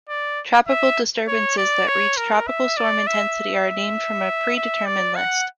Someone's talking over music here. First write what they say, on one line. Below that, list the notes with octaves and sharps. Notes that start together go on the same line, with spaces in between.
Tropical disturbances that reach tropical storm intensity are named from a pre-determined list.
D5
E5
C#5
D5
C#5
A#4
E5
D5
E5
E5
D5
F#5